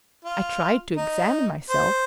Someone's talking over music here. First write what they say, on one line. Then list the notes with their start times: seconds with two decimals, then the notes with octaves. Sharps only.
I tried to examine myself.
0.25 F4
0.97 D#4
1.70 C5